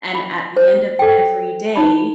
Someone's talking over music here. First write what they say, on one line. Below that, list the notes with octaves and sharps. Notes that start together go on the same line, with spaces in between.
and at the end of every day,
B5
C5
A4 G5
D#4 B5